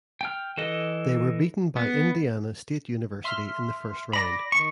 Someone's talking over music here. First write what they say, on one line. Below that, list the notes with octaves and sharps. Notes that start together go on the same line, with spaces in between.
They were beaten by Indiana State University in the first round.
G5 F6
E3 A4 D#5
B3
E5 C6 F6
D5 B5 A#6
D#3 C#6